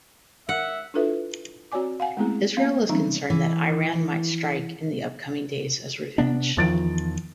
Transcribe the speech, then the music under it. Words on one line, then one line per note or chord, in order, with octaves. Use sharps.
Israel is concerned that Iran might strike in the upcoming days as revenge.
E5 F#5
D4 E4 F4 A4 B4 E5
C4 F#4 C#5 D5 G#5 D6
F5 F#5 G#5
G#3 A3 B3 C4 E4 G#4
A#3 B3 C#5 F5
E3 F#3 G3 C4 C#4 D#4
E3
C3 B3 D4
E2 D#3 F3 A6 D7